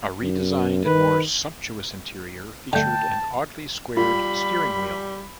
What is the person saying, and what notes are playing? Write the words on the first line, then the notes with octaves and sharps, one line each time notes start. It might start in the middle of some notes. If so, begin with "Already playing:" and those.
A redesigned and more sumptuous interior featured an oddly squared steering wheel.
F#2
D#3 B4
D3 A3 G5 A5 G6
G3 F4 B5